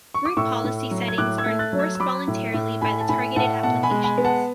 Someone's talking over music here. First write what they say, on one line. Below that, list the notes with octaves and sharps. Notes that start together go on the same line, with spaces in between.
Group Policy settings are enforced voluntarily by the targeted applications.
C#6
D6
A2 C#6 E6
A2
F#3
G#6
A2 D6 F#6
E6 G#6
A3
F#6 A6
F#3
E6 G#6
E6
F#3 B5 D6
A2
A2
A2 G#5 B5
A5
A2 G#5 B5
A2 F#5 A5
B2 F#5 A5
G#5 B5
G#3
G#5 B5
B3
F#5 A5